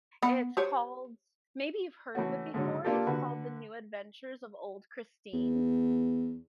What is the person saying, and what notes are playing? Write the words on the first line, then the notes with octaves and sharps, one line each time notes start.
it's called maybe you've heard of it before, it's called The New Adventures of Old Christine.
B3 F#5
G4 C5 C#5
E3 A3 C#4 F#4
G#2 D3 F#3
A#3 D4 F4 G4 A4
D3 F#4 B4
E2